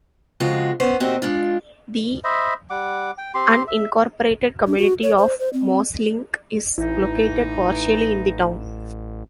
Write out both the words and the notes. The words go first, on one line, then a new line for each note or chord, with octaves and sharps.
The unincorporated community of Mosling is located partially in the town.
F2 C#3 G#3 F4 F#4
B3 C#4 C5
A#2 C4 D#4 F#4 G4
G#3 D4 F4
C5 D#5 E5 B5
G3 F#5 D6
G5
C4 G4 C6
E5
D4
F#4
C#5
C5
C5
C4
A1 E3 D#4 E4